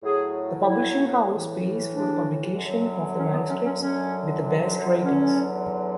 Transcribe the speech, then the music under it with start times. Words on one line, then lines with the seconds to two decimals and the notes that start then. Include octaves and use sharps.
The publishing house pays for the publication of the manuscripts with the best ratings.
0.04 A2 F#3 G#4
0.67 E4
1.29 A2 E3
1.92 D4
2.54 F#2 D3 F#3
3.17 C#4
3.32 B3
3.49 C#4
3.64 C#4
3.79 F#2 D3 F#3 C#4
5.05 E2 D3 F#3 C#4